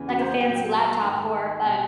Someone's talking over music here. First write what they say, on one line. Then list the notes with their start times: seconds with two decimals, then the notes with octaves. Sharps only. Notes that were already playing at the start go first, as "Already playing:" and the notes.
like, a fancy laptop for, but.
Already playing: E2 C#3 E3
0.09 F#4
0.19 C5
0.30 F#5
0.40 A#2 F#3 G5
0.56 G5
0.72 A5
1.03 G#2 D#3 G#3
1.65 B2 G3